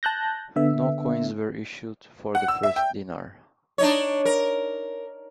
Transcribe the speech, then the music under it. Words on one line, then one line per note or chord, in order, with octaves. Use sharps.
No coins were issued for the first denar.
A5 F#6 G6 A#6
D3 B3 E5
F#5
E6
E5
G5
D4 D#4 C#5
A#4